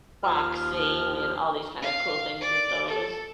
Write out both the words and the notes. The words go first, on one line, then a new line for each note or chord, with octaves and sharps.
boxing and all these kinda cool things with those.
D#2 F3 F6
F5
D5
A4